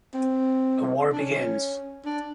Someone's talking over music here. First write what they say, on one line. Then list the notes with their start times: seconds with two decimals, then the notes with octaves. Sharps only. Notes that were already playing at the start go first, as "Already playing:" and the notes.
The war begins.
0.13 C4
1.12 D4
1.20 C#4
2.05 D4